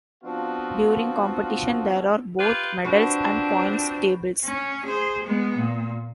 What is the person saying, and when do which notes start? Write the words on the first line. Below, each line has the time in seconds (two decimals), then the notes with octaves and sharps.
During competition, there are both medals and points tables.
0.24 F3 B3 C4 D4 F4 F#4
2.39 F4 G4 B4
2.85 F3 C4 D4 F#4 B4
4.44 C#4
4.85 G#4 C5
5.24 G#3 B3
5.57 A#2